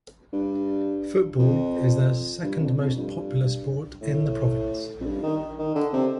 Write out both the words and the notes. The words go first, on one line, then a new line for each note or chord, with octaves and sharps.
Football is the second most popular sport in the province.
G2
F2
G2
F2
F2
G2
A2
F2
G2
D#3
D#3
D3
C3